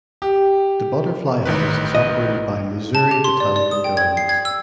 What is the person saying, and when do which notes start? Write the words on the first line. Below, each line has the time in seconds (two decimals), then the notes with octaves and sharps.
The Butterfly House is operated by Missouri Botanical Gardens.
0.22 G4
1.45 A1 D#3 B4
1.95 D#5
2.95 A5
3.11 G4
3.24 C6
3.40 D5
3.56 D5
3.71 D#6
3.84 G5
3.97 G#6
4.17 C7
4.29 G#6
4.45 E6